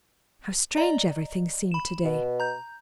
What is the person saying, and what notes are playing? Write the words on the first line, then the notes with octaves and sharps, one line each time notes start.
How strange everything seemed to-day.
D5 D#5 A#5
B5 E7
B2
A#5 G6